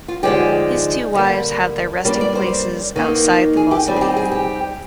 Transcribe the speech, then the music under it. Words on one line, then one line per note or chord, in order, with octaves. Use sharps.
His two wives have their resting places outside the mausoleum.
F4
D3 F3 G#3 D#4 G4
D3 G3 A#3
G3 A#3 D4 F4
D5
C5
D#3 A#3 D#4
G#4
G4
G3 C4 D#4 F4
G#4
G4
G#4
G4